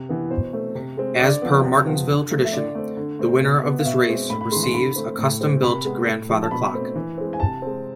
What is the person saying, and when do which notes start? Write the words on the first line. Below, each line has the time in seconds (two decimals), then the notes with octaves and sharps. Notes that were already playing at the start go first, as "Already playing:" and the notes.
As per Martinsville tradition, the winner of this race receives a custom-built grandfather clock.
Already playing: C3
0.09 E3 B3
0.31 B2 C5
0.53 A3 C4
0.75 C3
0.97 G#3 C4
1.19 D3 D5
1.42 F3 B3
1.64 C3
1.86 F3 B3
2.08 D3
2.30 F3 A3
2.45 E5
2.53 D3 D5
2.75 A3 C4
2.97 D3
3.19 A3 C4
3.41 B2
3.63 B3
3.79 F5
3.85 B2 E5
4.08 G#3 C4
4.30 A2 B5
4.41 B5
4.52 G#3 C6
4.56 E3
4.63 C6
4.74 D3 B5
4.96 A3 C4
5.18 A2
5.41 G#3 C4
5.62 C3 B5
5.85 G#3 B3
6.07 A2
6.29 F3 G#3
6.42 A5
6.51 B2 B5
6.73 A3 C4
6.95 E3
7.18 G#3 C4
7.33 G#5
7.40 C3 A5
7.62 G#3 C4